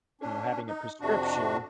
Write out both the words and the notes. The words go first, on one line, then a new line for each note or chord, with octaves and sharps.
you know, having a prescription,
C#4 D4
D#4
F2 C3 D4 F#4